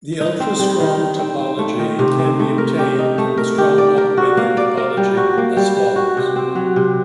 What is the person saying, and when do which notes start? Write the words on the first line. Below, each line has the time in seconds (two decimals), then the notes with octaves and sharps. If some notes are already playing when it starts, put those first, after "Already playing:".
The ultrastrong topology can be obtained from the strong operator topology as follows.
0.21 D#4
0.40 C4
0.59 G3
0.80 D#3
1.00 D#4
1.19 C4
1.39 C4
1.59 A3
1.79 D#3
1.99 C3
2.19 C4
2.39 A3
2.58 A#4
2.79 G4
2.99 D#4
3.18 A3
3.38 A#4
3.58 G4
3.78 D5
3.98 A#4
4.17 F#4
4.37 A#3
4.57 D5
4.77 A#4
4.97 G3
5.17 F#4
5.37 A#3
5.57 G3
5.77 G3
5.96 F#4
6.17 C3
6.36 C4
6.55 F#3
6.76 C3